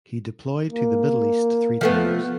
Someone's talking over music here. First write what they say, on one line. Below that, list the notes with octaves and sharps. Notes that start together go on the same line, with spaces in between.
He deployed to the Middle East three times.
A#3
F3 A3 B3